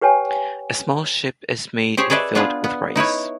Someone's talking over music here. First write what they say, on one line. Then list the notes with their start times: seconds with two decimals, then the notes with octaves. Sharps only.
A small ship is made and filled with rice.
0.01 G4 B4 C#5 G5 G#5
1.97 G4 G#4 C5 C#5
2.10 G#4 A4 B4 D5 E5
2.35 B3 D4 F4 G#4 B4
2.64 B3
2.96 D#4 E4 B4 C#5